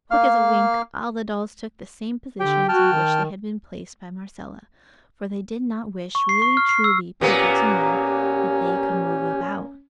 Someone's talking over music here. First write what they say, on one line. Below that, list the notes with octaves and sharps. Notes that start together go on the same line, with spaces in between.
Quick as a wink, all the dolls took the same positions in which they had been placed by Marcella, for they did not wish really truly people to know that they could move about.
A#3 F5 F6
D3 G4 G5
F#4 G5 A5 F6
D#3
C#6
C7
C#6
F6
C7
E6
A#2 A#3 B3 C#4 G4